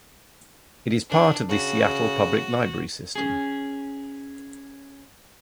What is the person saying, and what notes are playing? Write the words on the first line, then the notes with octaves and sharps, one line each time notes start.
It is part of the Seattle Public Library system.
D4
C#3 F#4
C#4 G#4